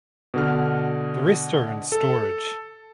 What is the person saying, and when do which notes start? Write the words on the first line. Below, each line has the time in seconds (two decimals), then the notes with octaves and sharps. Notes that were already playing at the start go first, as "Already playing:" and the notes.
The rest are in storage.
0.34 B2 D3 F6
1.92 A4